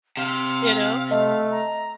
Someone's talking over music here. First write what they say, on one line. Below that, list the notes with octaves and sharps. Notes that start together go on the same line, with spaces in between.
you know,
C3 F5
G5
A3 D#5 F5
A#5